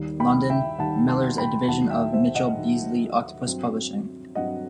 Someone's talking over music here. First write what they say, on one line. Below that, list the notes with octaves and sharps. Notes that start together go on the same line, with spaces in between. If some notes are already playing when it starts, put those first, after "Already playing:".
London: Miller's, a division of Mitchell Beazley, Octopus Publishing.
Already playing: D#2 D#3 G3
G5 B5
E5 G5
D#2 D#3 G3 F#5 A5
A5 C6
G5 B5
D#2 D#3 F#3 F#5 A5
E5 G5
C5 E5
D#5 F#5
D#2 D#3 F#3
G2 F#3 C4
G2 F#3 C4 D#5 F#5